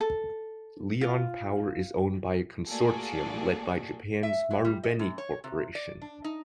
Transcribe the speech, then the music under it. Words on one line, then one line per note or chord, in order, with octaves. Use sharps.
Lion Power is owned by a consortium led by Japan's Marubeni Corporation.
A4
F4
A3 A#3 F#4 G#4 A4 D5
E5
F#3
G3
D#5
F#2
C#5
C3
D5
D4
D#4